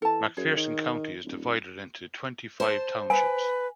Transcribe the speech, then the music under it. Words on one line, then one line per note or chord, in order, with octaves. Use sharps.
McPherson County is divided into twenty-five townships.
E3 A4 A5
F#2 G#4 C#5
D#3
D#1
C5 A5
B4 G#5